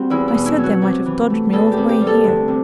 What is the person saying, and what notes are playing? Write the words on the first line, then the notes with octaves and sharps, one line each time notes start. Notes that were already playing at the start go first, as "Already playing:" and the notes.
"I said they might have dodged me all the way here."
Already playing: G3 C4 F#4
E2 E4
E4
B2
E4
F#3
F#4
C3
E3
A3
E2 A4
G4
C3
G4
G3
A4
D2
C3